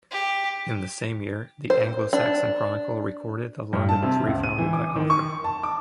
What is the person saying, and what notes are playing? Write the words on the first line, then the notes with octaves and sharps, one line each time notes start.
In the same year, the "Anglo-Saxon Chronicle" recorded that London was "refounded" by Alfred.
G4
C5
D4
G2
A5
C3
C#2
D#7
E3
D6
D#3
C#6
A5
D6